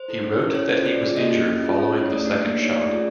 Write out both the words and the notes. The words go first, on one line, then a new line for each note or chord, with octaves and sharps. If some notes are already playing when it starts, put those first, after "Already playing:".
He wrote that he was injured following the second shot.
Already playing: C5
E4 A4
C#4
E4 A4
C#4 C#5
F4 A4 C5
C#4 D5
F4 G#4
A#3 D#5
C#4 E4 G4
C#4
F4 G#4
C#4
E4 G#4 C#5
A3 D5
D4 G4
A#3
D#4 G4 C#5
A3 D5
C#4 F4 G#4